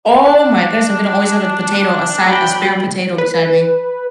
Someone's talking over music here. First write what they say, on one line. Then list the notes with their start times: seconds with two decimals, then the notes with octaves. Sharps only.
Oh my goodness, I'm gonna always have a potato, as si a spare potato beside me.
0.23 D4
2.26 F#3 G5 B5
3.18 B4